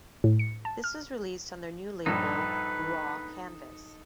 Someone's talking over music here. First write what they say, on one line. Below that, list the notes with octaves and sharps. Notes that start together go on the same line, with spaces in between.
This was released on their new label Raw Canvas.
A2
C#7
A5
F6
A#1 G2 D#4 A4 B4